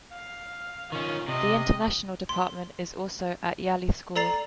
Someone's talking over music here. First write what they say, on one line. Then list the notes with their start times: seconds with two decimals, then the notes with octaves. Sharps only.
The international department is also at Yali School.
0.13 F5
0.92 D#3 C#4 F4
1.28 C3 D#5
2.29 C6
4.16 A4 D5 A#5 A6 C7